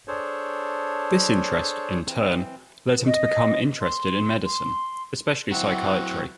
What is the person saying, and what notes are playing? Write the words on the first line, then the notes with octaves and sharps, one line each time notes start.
This interest, in turn, led him to become interested in medicine, especially psychiatry.
D4 G#4 A4 C5 C#5
E3 C4
D#5
C6
C6
F#3 C4 E4 F#4 F#5